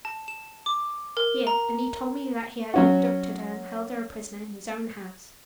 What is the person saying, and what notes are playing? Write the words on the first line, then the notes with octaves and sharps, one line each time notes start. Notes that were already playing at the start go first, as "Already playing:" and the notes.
"Here; and he told me that he had abducted her, and held her a prisoner in his own house."
A5
E7
D6
A#4
A#5
F#3 C#4 F#4